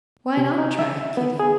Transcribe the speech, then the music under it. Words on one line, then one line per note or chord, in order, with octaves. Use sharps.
Why not try it, Kitty?
C3
D#4
E5
B3
G#4